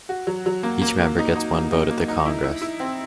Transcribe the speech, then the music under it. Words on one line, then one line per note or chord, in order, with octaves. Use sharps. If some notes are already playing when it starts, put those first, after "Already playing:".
Each member gets one vote at the Congress.
F#4
F#3
F#3
A#3
A#3
A#3
D#4
D#4
A#3
D#4
A#3
D#4
E4
E4
E4
C4